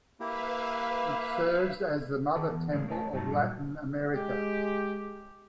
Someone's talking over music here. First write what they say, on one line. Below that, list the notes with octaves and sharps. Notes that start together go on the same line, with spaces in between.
It serves as the mother temple of Latin America.
A#3 E4 G4 B4 E5 F5
D#3 G#4 A5
E3 B3
A2 C#3 G#3 A#3 C#4 D4
A3 A#4 C#5 D#5 A5
G2 F#3 A3 D#4 F#4 A5
A#2 F#3 G3
G#3 G4